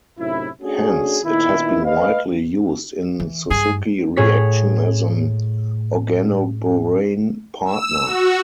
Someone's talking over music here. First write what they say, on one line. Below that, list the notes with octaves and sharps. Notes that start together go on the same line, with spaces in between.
Hence, it has been widely used in Suzuki reaction as an organoborane partner.
F#2 A2 C3 D#4 E4
A3 C#4 D4 F#4 G#4
A#2 D#3 B3 E4
B4 D#5 F5
E3
G2 G#4
A2 G#4 C#5 B6
E6
F#4